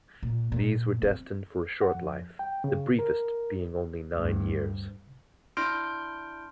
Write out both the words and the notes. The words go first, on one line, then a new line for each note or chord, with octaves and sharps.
These were destined for a short life, the briefest being only nine years.
A#2
A#2
C4
F#5
F2
G5
C#3
A#4
D2 G2
D4 E4 C6 F6 G6 D7